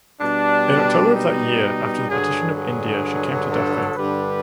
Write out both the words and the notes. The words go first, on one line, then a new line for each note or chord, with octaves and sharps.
In October of that year after the partition of India she came to Dhaka.
B2 G3 D4
D#4
G2 D3 F#3 G#4
G#4
A4
G2 D3 G3 B4